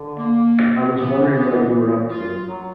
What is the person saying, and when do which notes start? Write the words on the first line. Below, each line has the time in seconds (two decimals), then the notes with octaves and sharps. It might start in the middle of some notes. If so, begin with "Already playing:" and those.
I was wondering what you were up to.
Already playing: D3
0.18 A#3
0.94 E3 B3
1.33 B3
2.10 F4
2.48 F#3